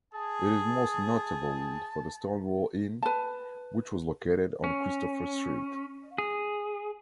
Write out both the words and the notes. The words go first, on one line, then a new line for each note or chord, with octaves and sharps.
It is most notable for the Stonewall Inn, which was located on Christopher Street.
G#4 A5
B4 A5
C#4
G#4